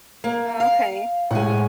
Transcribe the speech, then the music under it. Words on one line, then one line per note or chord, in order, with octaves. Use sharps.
Oh, okay.
A#3
F5
A2 G#3 F#5 G#5